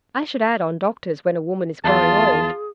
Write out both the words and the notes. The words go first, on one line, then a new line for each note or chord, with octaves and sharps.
I should add on doctors when a woman is growing old.
E2 F4 G#4 A5